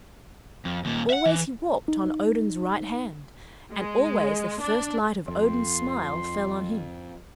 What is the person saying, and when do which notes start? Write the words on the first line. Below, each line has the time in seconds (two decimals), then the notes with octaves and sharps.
Always he walked on Odin's right hand, and always the first light of Odin's smile fell on him.
0.65 F2
0.85 D#2 A#2
1.10 E5 F#5
1.26 E3
1.88 D#4
3.72 G#3
4.60 D4
5.28 F2 C6